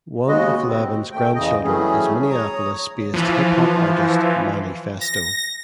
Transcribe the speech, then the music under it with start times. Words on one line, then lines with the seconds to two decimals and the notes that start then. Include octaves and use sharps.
One of Levins's grandchildren is Minneapolis-based hip hop artist Manny Phesto.
0.28 D#2 C#3 G#3 B3 F#4 D#5
0.68 C4
1.12 A3 G5
1.35 E2 C#3 D#5
1.64 E3 F#3 G3 A3 C#4 G#4
2.30 C#5 A#5 D#6
3.13 E3 F3
5.01 A#6